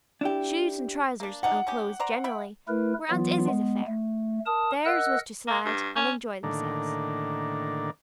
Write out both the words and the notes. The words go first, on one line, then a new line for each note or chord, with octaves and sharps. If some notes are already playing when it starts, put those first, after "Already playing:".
Shoes and trousers, and clothes generally, were Aunt Izzie's affair; theirs was to slide and enjoy themselves.
D4 E4 G4
A#3 D4
C3 D4 D#4 F#5
C#4 D#4 G4
C5 D5 A#5
E5 G5 B5
A3 E4 A#4 B4
E3 F#3 B3 F4
G#3 B3
A3
A#4 A5 D#6
A#4 D#5 F#5 E6 F#6
A#3
G2
C#4
A2 D3 D#3 A#3 D4